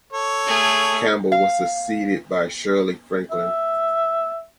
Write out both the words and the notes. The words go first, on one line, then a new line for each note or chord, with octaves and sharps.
Campbell was succeeded by Shirley Franklin.
A4 C#5
A3 G#4
F5
E5